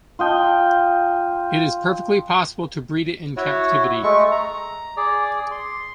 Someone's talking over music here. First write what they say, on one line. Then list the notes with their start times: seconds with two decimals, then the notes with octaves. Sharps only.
It is perfectly possible to breed it in captivity.
0.19 F4 D#5 G5 A5
3.37 E4 F#4 C#5
4.03 G#3 A3 C#6
4.32 A#5
4.97 G#4 D5
5.51 C6